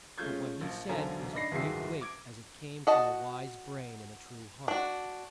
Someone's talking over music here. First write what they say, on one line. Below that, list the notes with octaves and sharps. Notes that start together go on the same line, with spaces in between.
But what he said was of great weight as it came from a wise brain and a true heart.
G#3 A3 C#4 F4 G6 G#6
A#1 F3
E1 B1 D3 C5 G#5 A#5
D4 D#4 B5 A#6 C7
D1 G1 D#3 G#4 E5 C7
D6 G#6 D7
F#4 D#5 A5
D4 F#4